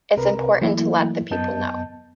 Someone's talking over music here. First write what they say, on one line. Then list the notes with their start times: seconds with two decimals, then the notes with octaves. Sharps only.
It's important to let the people know.
0.16 C2 C3 A#4 B4
0.61 E3 F#3 A3 A#3 E4
1.31 F#2 B3 D#5 A5 G6